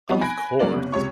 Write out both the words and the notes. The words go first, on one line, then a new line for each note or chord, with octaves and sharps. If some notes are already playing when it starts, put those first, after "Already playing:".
Of course.
F3 G3 B3 C4 D#4
G#5 B5 F#6 G#6 A#6 D7
C#3 F#3 A#3 C#4 D5 F#7
F#1 C3 B3
C#2 C3 C#5 C#6